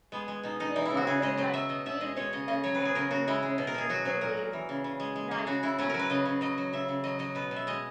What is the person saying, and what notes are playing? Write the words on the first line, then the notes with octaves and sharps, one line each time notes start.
He also wrote music for television including the series "Night Heat".
G#3 B3
G#3
B2 D#4
B2 D#4
E3 D#4
E4
C#3
F#4
C#3 G#4
G#3 D#5
F#3 D#5
F#3 E5
B2 D#5
B2 E5
G#3 D#5
G#3 C#5
C#3 D#5
C#3 D#5
F#3 C#5
B4
F#3
G#4
C#3 A#4
C#3 F#4
G#3 E4
G#3
B2
A#4
B2 G#4
F#3 F#4
F#3 G#4
A#2 A#4
A#2
E3
C#3
C#3
G#3
G#3
G#3
C#3 F#4
C#3 E4
F#3 C#4
F#3 A#4
B4
C#3 D#5
C#3
F#3 D#5
F#3
C#3 E5
C#3
F#3 D#5
F#3 D#5
B2 B4
B2
E5
G#3 D#5